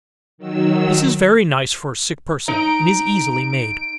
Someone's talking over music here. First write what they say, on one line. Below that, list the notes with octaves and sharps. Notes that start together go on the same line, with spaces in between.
This is very nice for a sick person, and is easily made.
D#3 F#3 E6
D#4 A#5 D7